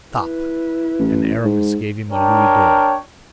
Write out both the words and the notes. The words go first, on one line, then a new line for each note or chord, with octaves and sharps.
"Stop," and Aramis gave him a louis d'or.
E4 B4
A1
G#2
D4 A#4 C#5 G5